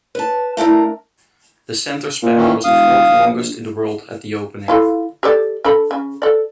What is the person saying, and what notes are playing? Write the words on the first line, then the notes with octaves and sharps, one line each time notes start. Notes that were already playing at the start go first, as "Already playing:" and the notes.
The center span was the fourth longest in the world at the opening.
B4 A5
A3 D4 E4 A#4
A#2
D#3 E3 C#4
E1 F5 D#6
A#1
E4 F4 A4
G4 A4 D5
D4 A4 B5
C#3
A4 D5